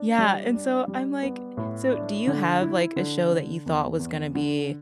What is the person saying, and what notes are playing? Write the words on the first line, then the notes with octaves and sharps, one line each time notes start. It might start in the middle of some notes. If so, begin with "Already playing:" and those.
Yeah and so, I'm like so, do you have, like, a show that you thought was gonna be
Already playing: D4
G3
D4
G3
B3
A2
D4
D3
E4
D3
D3
E2
E2
D3